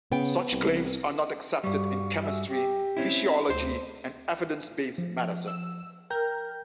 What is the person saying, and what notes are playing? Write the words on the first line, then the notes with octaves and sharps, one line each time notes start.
Such claims are not accepted in chemistry, physiology, and evidence-based medicine.
C#3 B3 G5
C2
G2 G3 F#4 F5 C#6
F#4 G#4 E5
G4
C4 C#4 E4
B5
D2 C5
F3
E6
A#4 G5 G6